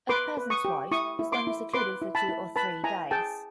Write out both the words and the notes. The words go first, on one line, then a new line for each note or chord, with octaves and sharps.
A peasant’s wife is only secluded for two or three days.
B4 C6 D6
B4
C#6 D#6
G4
E4 C#6 D#6
E4
C6 D6
E4
B4 C6 D6
E4
A5 B5
E4
B4 A5 B5
E4 G#5 A#5
G#4 G5 A5